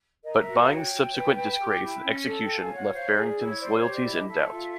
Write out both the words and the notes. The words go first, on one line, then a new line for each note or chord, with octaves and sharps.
But Byng's subsequent disgrace and execution left Barrington's loyalties in doubt.
A#4 D#5
F#4 E5
F5
C#5
G5
F#4
B4
B4
G4
E4
C#4
A4
G5
F4
G#5
C#5
F#5
C5 F5
E5
G#4
D5
E4
C#5
C5 D5
C#5
G4
D5
E4
D#5
A4 E5
F4